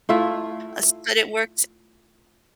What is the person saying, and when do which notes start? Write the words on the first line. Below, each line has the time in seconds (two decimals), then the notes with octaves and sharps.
uh, s but it works
0.09 A3 E4 F4 E5